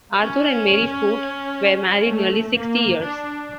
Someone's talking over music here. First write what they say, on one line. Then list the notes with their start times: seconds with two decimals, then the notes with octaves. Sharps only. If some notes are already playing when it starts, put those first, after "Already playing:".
Arthur and Mary Foote were married nearly sixty years.
0.18 C#4
2.07 A3
2.54 A#3
3.02 D4